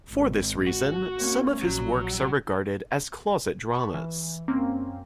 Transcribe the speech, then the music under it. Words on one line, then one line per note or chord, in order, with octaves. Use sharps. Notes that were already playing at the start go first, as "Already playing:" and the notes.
For this reason, some of his works are regarded as closet dramas.
G#1
F#4
A#3 C#4
A#1 F#3
A5 B5 C#6
E3
F#2 A#3 C4 C#4